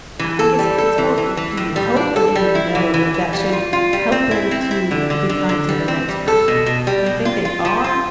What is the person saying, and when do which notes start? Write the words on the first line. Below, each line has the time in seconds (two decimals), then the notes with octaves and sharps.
I I guess it's more u do you hope or do you know that that should help them to be kind to the next person? Do you think they are?
0.19 E3
0.39 A4
0.59 G3
0.78 A4
0.98 E3
1.18 E3
1.37 E3
1.57 A2
1.76 G3
1.96 D4
2.16 A4
2.35 G3
2.55 E4
2.75 E3
2.94 E3
3.14 E3
3.33 G3
3.52 F4
3.73 F4
3.93 G3
4.12 C4
4.31 E4
4.51 C4
4.71 E4
4.91 D3
5.10 D3
5.29 D3
5.49 D3
5.69 G3
5.88 C4
6.08 G3
6.28 A4
6.48 B2
6.66 B2
6.87 G3
7.06 B2
7.25 F4
7.45 F4
7.65 F3
7.84 F4